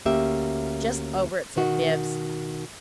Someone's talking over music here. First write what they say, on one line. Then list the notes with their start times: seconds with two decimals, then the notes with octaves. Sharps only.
"Just over it," said Bibbs.
0.05 D2 A#3 C#4 G4 E5
1.56 B2 D#3 F#4